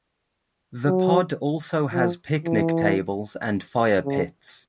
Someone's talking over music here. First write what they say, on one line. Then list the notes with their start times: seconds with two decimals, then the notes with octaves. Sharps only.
The pod also has picnic tables and fire pits.
0.87 F#3
1.93 F3
2.46 E3
4.05 C#3